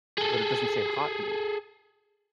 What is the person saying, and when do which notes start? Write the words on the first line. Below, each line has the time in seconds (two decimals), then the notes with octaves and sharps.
But it doesn't say, "hot meat."
0.18 G#4 A4